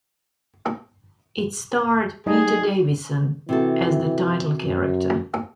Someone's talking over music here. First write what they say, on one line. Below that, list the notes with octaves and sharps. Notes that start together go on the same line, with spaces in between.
It starred Peter Davison as the title character.
G3 D#4 G#4 D#5
C3 E3 F#4 A4
F#2